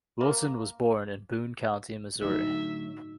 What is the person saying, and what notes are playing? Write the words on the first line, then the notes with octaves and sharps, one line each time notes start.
Wilson was born in Boone County, Missouri.
A#3
A2 D3 F#3 D#4 E5